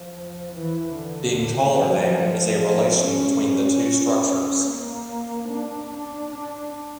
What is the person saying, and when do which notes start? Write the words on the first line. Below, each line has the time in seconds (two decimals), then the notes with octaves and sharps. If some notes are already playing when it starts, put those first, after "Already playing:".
Being-taller-than is a relation between the two structures.
Already playing: F3
0.52 E3
0.94 D3
1.76 F3
2.59 F3
3.00 C#4
3.42 C#4
4.66 A#3
5.49 D4
5.90 D4
6.32 D4